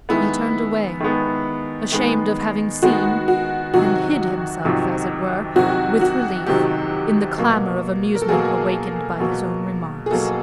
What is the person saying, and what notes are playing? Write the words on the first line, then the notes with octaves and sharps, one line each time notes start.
He turned away, ashamed of having seen, and hid himself, as it were, with relief, in the clamor of amusement awakened by his own remarks.
D#3 G#3 B3 E4
D#3 G#3 B3
D#3 G#3 B3
D#3 G#3 B3 F#4
F#4
F2 C3 D#3 F#3 F#4
F2 C3 D#3 F#3
F2 C3 D#3 F#3 F#4
F#4
F2 C3 D#3 F#3 G4
B2 F#3 A#3
A#4
A4
B2 F#3 A#3 G#4
B2 F#3 A#3
G#4
B2 F#3 A#3 A4